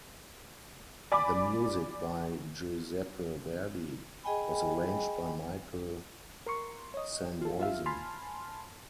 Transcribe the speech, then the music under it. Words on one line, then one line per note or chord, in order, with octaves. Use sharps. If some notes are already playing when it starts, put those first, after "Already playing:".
The music, by Giuseppe Verdi, was arranged by Michael Sanvoisin.
D5 G#5 B5 D6
G#4 D#5 G5 G#5 B5
A#4 C6 C#6
C#5 D#5
F4 A4
F4 E5 F5
G#5 A5 B5 C6 F6